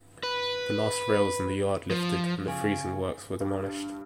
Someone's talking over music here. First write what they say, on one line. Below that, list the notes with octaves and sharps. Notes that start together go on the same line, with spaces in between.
The last rails in the yard lifted when the freezing works were demolished.
B4
F3
C#3
G2